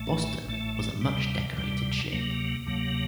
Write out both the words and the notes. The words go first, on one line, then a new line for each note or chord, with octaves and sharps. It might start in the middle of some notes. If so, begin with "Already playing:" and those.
"Boston" was a much-decorated ship.
Already playing: A1 A2 A3
A1 A2 A3
D2 C3 G3
D2 C3 G3
D2 C3 F#3 A#3
D2 C3 F#3 A#3